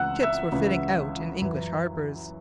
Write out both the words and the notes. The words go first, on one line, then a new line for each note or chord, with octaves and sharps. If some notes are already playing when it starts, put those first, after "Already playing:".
Ships were fitting out in English harbours.
Already playing: C#2 C#3 E3 F#5 E6 F#6
E5 E6
C#2 C#3 E3
F#2 E3